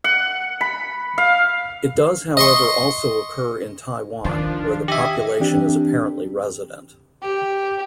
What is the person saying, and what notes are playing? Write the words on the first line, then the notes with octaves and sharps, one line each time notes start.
It does however also occur in Taiwan, where the population is apparently resident.
F#5
B5
F5
D#5 C6 C#6
D#3 F3 D4 F4
G4 D#5 E5 G#5
E3 C4 D4 G4
G4